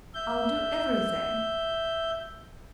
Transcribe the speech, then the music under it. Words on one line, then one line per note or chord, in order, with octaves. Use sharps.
I'll do everything.
E5 G6